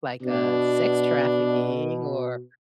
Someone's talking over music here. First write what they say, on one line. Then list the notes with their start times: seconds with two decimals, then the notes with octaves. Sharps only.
like, uh, sex trafficking or
0.22 B2 D4